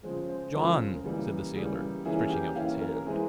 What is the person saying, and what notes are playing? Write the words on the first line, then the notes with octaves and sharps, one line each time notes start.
"John!" said the sailor, stretching out his hand.
C#3 F3 G#3 C5
C5
C#3 F3 G#3 A#4
C#3 E3 G3 A#3
C#3 E3 G3 A#3
E3 A#3 C#4 E4 G#4
G4
E3 A#3 C#4 E4 F5
A#4
E3 G#3 C4 E4 G#4